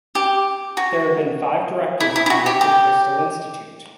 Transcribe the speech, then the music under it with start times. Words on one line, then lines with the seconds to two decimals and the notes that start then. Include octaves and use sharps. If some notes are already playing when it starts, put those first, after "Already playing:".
There have been five directors of the Liquid Crystal Institute.
0.15 G4
0.77 F#4
2.00 E4
2.16 E4
2.26 E4
2.30 F#4
2.46 G4
2.61 G4